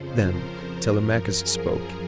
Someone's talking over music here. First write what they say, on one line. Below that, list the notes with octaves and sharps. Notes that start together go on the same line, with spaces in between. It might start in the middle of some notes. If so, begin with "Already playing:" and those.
Then Telemachus spoke.
Already playing: F2 C#3 F3 C5
A#4
C5
F#2 F3 A#4
G#4